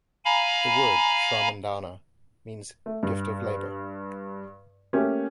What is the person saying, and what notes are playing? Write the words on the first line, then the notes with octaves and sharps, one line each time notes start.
The word "shramadana" means "a gift of labor".
F5 G#5 A#5 B5
A3
G2
A3 A#3 C#4 G4